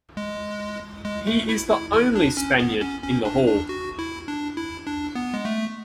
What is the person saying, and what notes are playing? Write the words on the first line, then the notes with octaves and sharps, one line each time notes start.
He is the only Spaniard in the Hall.
G#3
G#3
A3
E4
E4
E4
D4
C#4
B3
C#4
C#4
D4
D4
F#4
E4
D4
E4
D4
B3
G#3
A3